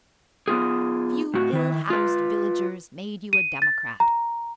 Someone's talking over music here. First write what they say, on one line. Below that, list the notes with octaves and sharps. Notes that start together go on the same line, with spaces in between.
A few ill-housed villagers made you a democrat.
B3 F4 G#4
A2 F#4
D#3 E4
F4 B4
D#7
A6
A#5